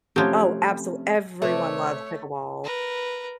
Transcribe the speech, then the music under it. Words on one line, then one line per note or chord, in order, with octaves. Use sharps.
Oh, absolu everyone loves pickleball.
C3 F3 F#3 A3 C#4 G4 C5 C#5
C3 A3 B4 C#5 D5
A#4 B4